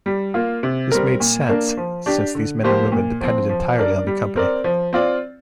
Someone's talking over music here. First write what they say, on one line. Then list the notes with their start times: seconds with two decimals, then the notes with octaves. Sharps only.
This made sense since these men and women depended entirely on the company.
0.06 G3
0.34 A#3 F4
0.63 C3
0.91 G3 C4 A#4
1.20 A#2
1.49 A#3 D4 A#4
1.77 F3
2.06 D4 G4
2.35 D3
2.64 F3 A#3 G4 C5
2.92 A#2
3.21 F3 C4
3.49 F3
3.78 D4 A#4 D5
4.07 G3
4.36 C4 A#4 D5
4.64 F3
4.93 C4 F4 D5